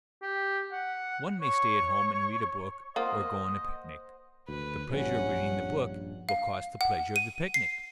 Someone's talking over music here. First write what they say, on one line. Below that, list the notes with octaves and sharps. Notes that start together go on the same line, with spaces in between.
One may stay at home and read a book or go on a picnic; the pleasure of reading the book will cost the pleasure of the picnic.
G4
F#5
C#5
A#3 F4 C5 D#5 F#5
D2 B4
A#1 G2 C#4 F#5
F5
F#5
D#7
C7